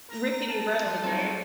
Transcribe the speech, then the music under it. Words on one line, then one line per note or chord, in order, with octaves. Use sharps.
rickety road, right?
A#4 A#5 A#6
A5
F3 G3 C6
F#3 G3 C4 D#4 A4